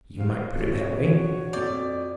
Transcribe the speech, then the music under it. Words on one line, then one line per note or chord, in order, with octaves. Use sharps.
"You might put it that way."
G3 C5 F5
A#1 F2 F3 F#4 C#5
F2 D5 G6